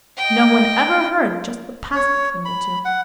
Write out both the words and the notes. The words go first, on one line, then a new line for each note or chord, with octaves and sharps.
No one ever heard just what passed between the two.
D#5 G5
C#5
B5
F#5